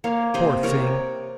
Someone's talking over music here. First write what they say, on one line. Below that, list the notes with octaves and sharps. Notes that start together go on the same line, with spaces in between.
Poor thing!
A#3 C#5 F5
C3 C5 D#5
C3 A#4 C#5